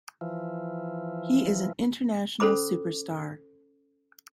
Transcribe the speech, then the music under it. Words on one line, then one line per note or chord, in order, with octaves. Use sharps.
He is an international superstar.
E3 F3
C#4 A4 C5 B5 D6